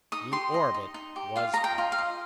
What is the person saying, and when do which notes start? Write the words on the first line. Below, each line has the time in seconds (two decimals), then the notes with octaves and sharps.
The orbit was found.
0.12 D#4 D#6
0.32 G4 C6
0.54 D#5
0.74 D#4
0.94 D#4
1.16 G4
1.36 F4 F5
1.54 D#5 A#5
1.64 G5
1.78 F4
1.92 F5
1.98 D#5